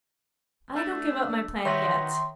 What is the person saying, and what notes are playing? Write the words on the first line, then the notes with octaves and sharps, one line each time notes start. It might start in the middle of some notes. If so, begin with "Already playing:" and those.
'I don't give up my plan yet.
A3 D4
D#3 D#4 F#4 B4 C#5 E5 C6